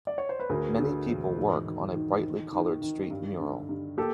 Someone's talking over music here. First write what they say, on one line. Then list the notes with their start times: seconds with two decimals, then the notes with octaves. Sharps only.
Many people work on a brightlycolored street mural.
0.07 D5
0.18 C#5
0.29 C5
0.40 B4
0.49 D2 G#4 A#4
0.79 D3
1.08 E1
1.37 G#2
1.66 D#3
1.94 D#3
2.23 D#3
2.53 D#3
2.82 D#3
3.11 G2
3.40 D3
3.69 G2
3.97 A#3 G4 A4